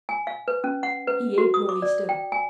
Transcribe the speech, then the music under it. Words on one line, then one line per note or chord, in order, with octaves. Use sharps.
He ain't no oyster.
G#5
F5
B4
C#4
F#5
B4
F#4
D#6
D6
D5
G5
G#5